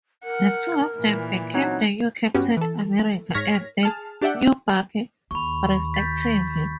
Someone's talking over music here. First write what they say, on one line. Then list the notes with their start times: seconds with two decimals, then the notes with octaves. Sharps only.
The two of them became the new Captain America and the new Bucky, respectively.
0.24 A#4 F#5
0.99 A#2 E3
1.54 F#3 C4 C#4 D#4
2.34 G2 B3 C#4 F#4 G4
2.57 E3 A4
3.34 G#2 C#5 F6 G#6 A#6 B6
3.83 G#4 A5 F6
4.21 D4 G4 D5 E5 F#5 G5
5.31 D#2 B5 C#6
5.94 G6 A6 B6